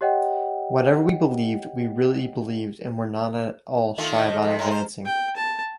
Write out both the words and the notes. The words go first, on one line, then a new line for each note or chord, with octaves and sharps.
Whatever we believed, we really believed and were not at all shy about advancing.
G4 C#5 D#5 F#5 G5
D#3 A3 F4
D#5
F2 C3
A2 G#3 A#5
C5
G5
A5